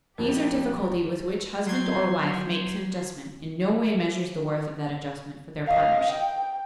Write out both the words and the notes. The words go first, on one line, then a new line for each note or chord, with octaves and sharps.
The ease or difficulty with which husband or wife makes an adjustment in no way measures the worth of that adjustment for their partnership.
F1 A#1 F2 G4 A#4
F#3 C6 G6 G#6 C7
D#5 F5
G5